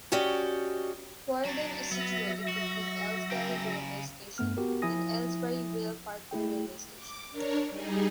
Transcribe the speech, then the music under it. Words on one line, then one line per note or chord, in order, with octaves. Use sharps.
Quarrendon is situated between Aylesbury railway station and Aylesbury Vale Parkway railway station.
C#4 F#4 G4 D5 D#5
F#3 D4
F#3 B3 E5 A#6
F#4
C#3 G5
G2 A3 B3 F6
B3 F#4 G4 A#4
F3 E4 E5 G#5 D#6 A#6
A3 E4 G#4 G5
D6
D4 A#4 C#5
G3 D#4 G#4